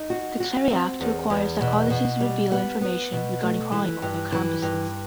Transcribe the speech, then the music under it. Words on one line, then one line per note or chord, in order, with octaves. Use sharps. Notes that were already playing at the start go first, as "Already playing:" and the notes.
The Clery Act requires that colleges reveal information regarding crime on their campuses.
Already playing: D#4
F#4
F#4
C4
E2
E2
B2
B2
G3
B3
B3
B2
A3
E3
G2
E3
G2